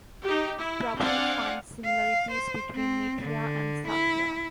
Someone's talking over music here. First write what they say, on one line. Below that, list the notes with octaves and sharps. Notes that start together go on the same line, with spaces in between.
Prabhu finds similarities between Nithya and Sathya.
D#4 G4
E4
C4 D4 D5 F5 F#5 G#5
F5
C5
C4
D3
E4